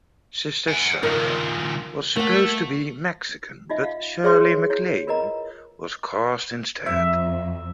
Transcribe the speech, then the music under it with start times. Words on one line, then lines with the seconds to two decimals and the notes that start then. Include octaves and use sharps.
Sister Sara was supposed to be Mexican but Shirley MacLaine was cast instead.
0.68 F#5 G#5
1.03 D#3 F3 A#4
2.16 A3 A#3 F#5
3.70 D#4 F4 D#5 E5
3.83 F5
4.24 G#4 C#5 E5 G5 C6 D6
4.70 E4 C#5
5.07 F4 A#4 B4 D#5 A#5
6.86 F2 E5